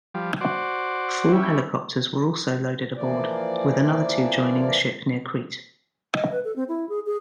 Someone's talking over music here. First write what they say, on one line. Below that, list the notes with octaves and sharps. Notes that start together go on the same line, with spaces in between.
Four helicopters were also loaded aboard, with another two joining the ship near Crete.
F3 G3
F#4 C5 D5
G3 C#4 E4
E3 F3 A#3 D5
D#5
B4
A4
C4
E4
G#4
G#4